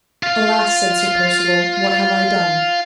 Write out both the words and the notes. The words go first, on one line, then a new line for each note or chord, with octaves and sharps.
Alas, said Sir Percivale, what have I done?
F4 F5